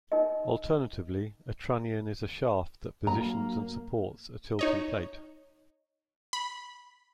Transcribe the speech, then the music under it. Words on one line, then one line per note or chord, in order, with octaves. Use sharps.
Alternatively, a trunnion is a shaft that positions and supports a tilting plate.
D#4 A#4 D#5
G2 F#3 A#3 A#5
D#4 C#5 D#5
B5